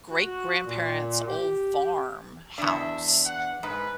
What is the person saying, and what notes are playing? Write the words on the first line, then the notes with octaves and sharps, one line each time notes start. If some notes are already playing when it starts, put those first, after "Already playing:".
great grandparents' old farm house,
F#4
F#4
A#2
G4
E2 D4 E5
F#5
G#2 B4